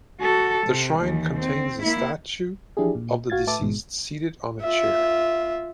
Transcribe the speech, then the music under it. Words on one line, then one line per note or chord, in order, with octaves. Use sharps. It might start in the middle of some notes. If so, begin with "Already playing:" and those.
The shrine contains a statue of the deceased seated on a chair.
F#4 A4
C3
D#2 E3
C4
A#3 E4
E3 F3 D4 E4 G4 G#4
A#2
A1 F#4 F5 G#6 A6
A2 A3 B4 E5 A5 D6
A1 G#2 B2 G#3
F4 E5